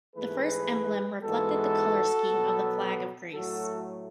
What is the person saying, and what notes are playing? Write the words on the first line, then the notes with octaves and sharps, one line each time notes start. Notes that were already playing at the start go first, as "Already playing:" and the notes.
The first emblem reflected the colour scheme of the Flag of Greece.
G#2 E3 A3 G#4 B4
G#2 E3 G#3 B3 F#4 A4
B2 F#3 B3
A2 F#3 A3 F#4 A4